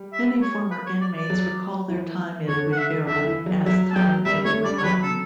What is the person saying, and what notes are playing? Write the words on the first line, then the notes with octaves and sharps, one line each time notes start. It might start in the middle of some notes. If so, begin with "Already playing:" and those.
Many former inmates recall their time in Winbirra as time in Winlaton.
Already playing: G3
E5
C#5
B4
C#5
D5
D5
F#3
E3
D3 C#5
F#5
E5
D3 E5
E3
F#3
F#3 E5
A5
F#3 G5
G3 E5
A3 C#5
G3 D5
C#5
F#3 B4
A4